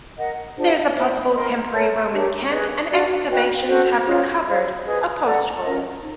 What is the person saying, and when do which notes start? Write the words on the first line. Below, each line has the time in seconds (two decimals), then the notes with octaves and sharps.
There is a possible temporary Roman camp and excavations have recovered a posthole.
0.18 A#4 D#5 F#5
0.56 D4 F4 G#4 C5
0.95 C5 E5 G5
1.33 A#4 D#5 G5 C6
1.72 A#4 C#5 E5 A5
2.11 D4 G4 A#4 C#5
2.50 G#4 B4 D#5
2.89 D4 F#4 A4 D5
3.28 F#4 B4 D#5 G5
3.67 C#4 F#4 A4 C5
4.06 C#4 F4 G#4 C#5
4.45 G#4 C5 F5
4.85 G#4 B4 D#5
5.23 A4 D5 F#5 A#5
5.62 C#4 F4 A#4 D#5
6.00 D#4